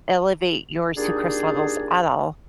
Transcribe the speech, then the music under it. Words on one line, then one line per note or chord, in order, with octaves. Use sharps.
elevate your sucrose levels at all.
A#2 G3 D4 D#4 G#4